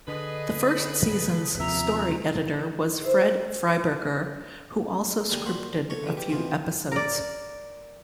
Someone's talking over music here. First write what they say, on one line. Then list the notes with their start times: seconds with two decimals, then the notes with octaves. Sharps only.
The first season's story editor was Fred Freiberger, who also scripted a few episodes.
0.08 D3 G#4 B4 D#5
1.60 D#2 C3 F3 E5 A#5
2.46 A#3 D#4 F4
3.01 G#4 C5 E5
5.31 D#2 G3 G#4 A5 A#5
5.46 A#2 F4 F#4 C5 B5
5.90 A4 C#5 C#6
6.03 D3 E3 F#3 G#3
6.16 E3 G4
6.30 B2 E3 B3 C4 F4
6.92 A#4 D5